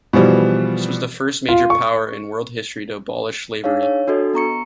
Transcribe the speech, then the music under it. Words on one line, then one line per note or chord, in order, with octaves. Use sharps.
This was the first major power in world history to abolish slavery.
B2 E3 F3 G3
F4
C#6
D4 D#4 G#4 C#5 F5
C#5
D4 F#4 A4 D#5
B3 A#5 C#6 C#7